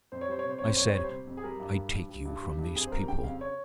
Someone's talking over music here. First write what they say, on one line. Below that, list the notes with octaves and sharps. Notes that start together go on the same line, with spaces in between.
I said, 'I take you from those people.
F2 C5
C#5
G3 C5
C#5
C3 C5
F2 C#5
C5
F2 C#5
C5
G3 C#5
C5
C3
F2
G#4
G3 A#4
G2
G3
G2
G3
G2
G3
G2
F2 G#4
C5
G3 A#4
C#3 G5
F2 F5
C#5